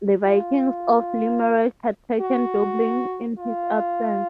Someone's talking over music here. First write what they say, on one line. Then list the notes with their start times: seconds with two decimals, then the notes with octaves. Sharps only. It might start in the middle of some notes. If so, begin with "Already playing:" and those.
The Vikings of Limerick had taken Dublin in his absence.
0.25 F4
2.21 F#4
3.38 F4